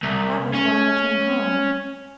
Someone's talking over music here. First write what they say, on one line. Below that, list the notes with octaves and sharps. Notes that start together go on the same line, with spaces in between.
That was why I came home.
C2
C#4